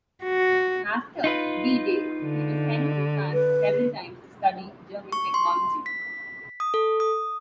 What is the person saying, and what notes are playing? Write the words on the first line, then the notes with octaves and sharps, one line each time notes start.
After D-Day he was sent to France several times to study German technology.
F#4
D#4 F4 B4
D3
B4
C#6
C6
B6
D#6
A4
D#6